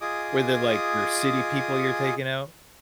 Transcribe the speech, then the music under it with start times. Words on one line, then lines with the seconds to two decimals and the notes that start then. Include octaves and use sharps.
Were they, like, your city people you're taking out?
0.01 F4 G#4 D#5 G#5 D6 D#6